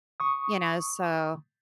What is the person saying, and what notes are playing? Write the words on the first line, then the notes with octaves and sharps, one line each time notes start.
you know, so
C#6 D#6